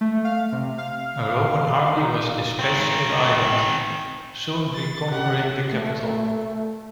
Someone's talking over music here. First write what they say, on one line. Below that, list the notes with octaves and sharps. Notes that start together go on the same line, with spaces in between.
A Roman army was dispatched to the island, soon reconquering the capital.
A3
F5
C3
F5
D#4
D#3 C4
A6
C#3 G4 F#5
A3